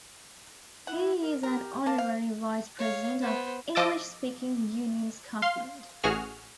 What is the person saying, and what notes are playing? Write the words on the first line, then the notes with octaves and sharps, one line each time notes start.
He is an Honorary Vice-President of English-Speaking Union Scotland.
E4 F#5
A#4
G4 A#4
A#3 F5 A5
C5 F5
C#5 F5
B3 C5
F3 D#5 D6 E6 A6
F5 C6
A1 F#4 G#4 F6